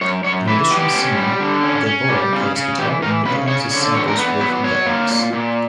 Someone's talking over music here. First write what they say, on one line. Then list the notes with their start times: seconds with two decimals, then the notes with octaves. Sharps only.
In addition to singing, De Boer plays guitar and utilizes samples with The Ex.
0.01 F#2 C#5
0.24 F#2 C#5
0.48 E3 B4
0.71 B3 G4
0.94 C#4
1.17 G3
1.40 D3
1.63 C#4
1.86 C#4
2.09 G3
2.33 C#3
2.56 C#3
2.78 E3 G4
3.02 E3 A#4
3.25 C#3 B4
3.48 C#3 C#5
3.71 D3 C#5
3.94 E2 C#5
4.08 A#4
4.17 B3 B4
4.40 F#3 B4
4.64 F#3 C#5
4.86 A#3
5.10 A#2
5.33 A#2